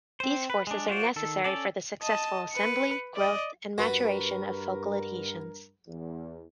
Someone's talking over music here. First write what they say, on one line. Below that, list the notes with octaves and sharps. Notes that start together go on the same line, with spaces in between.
These forces are necessary for the successful assembly, growth, and maturation of focal adhesions.
C4 C5
B4
G#3 D4
F4 F#4 C5 D5
D#3 A4
C#4 A4 D5
D#5 A5
B4 C#7
D5 D#5
G2 F#4 A#4 B4 B5
E2